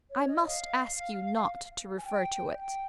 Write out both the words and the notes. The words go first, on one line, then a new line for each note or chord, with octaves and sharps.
I must ask you not to refer to it.
C#5
D#5
F5
G#5
G5
G5